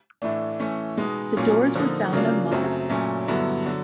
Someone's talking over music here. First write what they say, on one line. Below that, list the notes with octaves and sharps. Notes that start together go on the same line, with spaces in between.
The doors were found unlocked?
A2 E3 A3 D4
E3 A3 C#4
B2 G#3 B3 D#4
A#2 F#3 A#3 C#4 F4
D3 F3 A#3 D#4
C#3 F#3 A#3 D4 F4
F#2 C#3 F#3 A3 C4
A#2 F#3 A3 C#4
G2 D3 F#3 B3 E4
D3 F#3